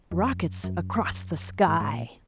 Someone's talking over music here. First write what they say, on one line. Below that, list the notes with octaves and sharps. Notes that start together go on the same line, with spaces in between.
Rockets across the sky!
F2
F#2
F#2
G#2
G#2
A#2